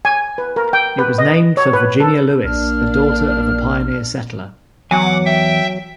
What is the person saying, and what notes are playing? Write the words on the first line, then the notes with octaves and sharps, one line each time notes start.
It was named for Virginia Lewis, the daughter of a pioneer settler.
G#5
B4
A#4
G5
B4
D#5
C#5
B4
A4
A#1 A#3 D4 F6
E2 F#3 F#5 G#5 D6
E5 G5